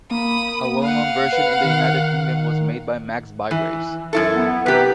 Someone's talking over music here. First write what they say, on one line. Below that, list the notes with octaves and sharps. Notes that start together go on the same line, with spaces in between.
A well-known version in the United Kingdom was made by Max Bygraves.
A#3 B5 D#6
F5 F#5
B4
D#3
E3
F#2 E4 A4
B3
C3 G4 A#4 B4